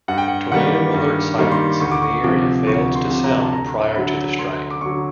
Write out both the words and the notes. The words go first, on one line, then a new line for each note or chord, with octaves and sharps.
Tornado alert sirens in the area failed to sound prior to the strike.
G2 F#5
G5
F#5
D#3 G3 A#3 F#5
G2
D#3 G3 A#3
C6
D2 C#6
D6
C#6
C3 F3 D6
D2 C#6
C6
C3 F3
A#5
A5
D2 A#5
D3 F#3 B5
D2 C6
D6
D3 F#3 C#6